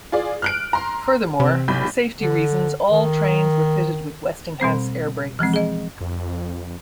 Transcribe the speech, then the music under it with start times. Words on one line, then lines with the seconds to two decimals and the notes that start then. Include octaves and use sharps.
Furthermore, for safety reasons all trains are fitted with Westinghouse air brakes.
0.12 F4 G#4 D5
0.42 F6 F#6 D7
0.73 A#5 C6
1.40 C3 C4
1.68 B1 B5 G6
2.21 D3
2.91 D#3
4.60 B2 G3 C4 C5
5.39 E3 F3 G#3 C4
5.54 G#4 D#5
6.01 F2